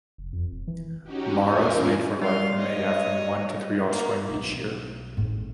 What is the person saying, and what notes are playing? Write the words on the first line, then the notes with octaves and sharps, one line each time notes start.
Maras mate for life, and may have from one to three offspring each year.
F1
F2
E1
E3
C#4 D#4 F#4 G4
E2 C#4 E4 F4 A#4 G#5
G3 F5 C6
C#5 D#5
A#3 B3
B1
G#1 A2